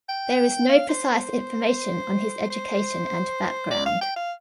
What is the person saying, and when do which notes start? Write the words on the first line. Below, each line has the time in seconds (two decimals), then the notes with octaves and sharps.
There is no precise information on his education and background.
0.09 G5
0.69 F5
0.89 C5
1.09 C5
2.50 C5
3.71 D5
3.86 F5
4.01 G5
4.16 F5